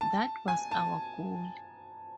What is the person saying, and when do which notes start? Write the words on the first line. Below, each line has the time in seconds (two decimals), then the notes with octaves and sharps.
That was our goal.
0.01 A5
0.48 G#5
0.71 A5